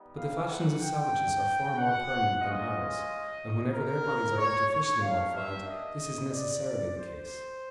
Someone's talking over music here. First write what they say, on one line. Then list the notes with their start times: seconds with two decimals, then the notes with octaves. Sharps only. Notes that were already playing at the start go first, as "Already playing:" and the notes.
But the fashions of savages are far more permanent than ours; and whenever their bodies are artificially modified, this is necessarily the case.
Already playing: G3 B3 D#4 G4
0.14 F5
0.47 F#5
0.79 G5
1.77 F#5
2.41 G#3 C#4 F4 D#5
3.71 A#4
4.37 C#5
4.70 C#5
5.01 A#3 D4 G4 F5
5.34 E5
5.67 D#5
6.32 D5
6.96 C5